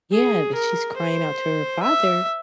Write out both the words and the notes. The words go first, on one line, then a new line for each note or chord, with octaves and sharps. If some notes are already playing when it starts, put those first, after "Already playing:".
yeah, that she's crying out to her father
G#4
A#4
C5
E5